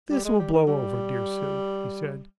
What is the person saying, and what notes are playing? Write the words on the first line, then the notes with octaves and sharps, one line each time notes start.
"This will blow over, dear Sue," he said.
G3
G#3
G3
D#3
G3